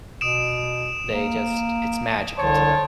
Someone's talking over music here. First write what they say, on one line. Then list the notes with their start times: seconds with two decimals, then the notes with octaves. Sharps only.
they just it's magical to them,
0.21 B2 D#6 D7 E7
1.10 A#3
2.37 C2 D3 C5 C#5 A5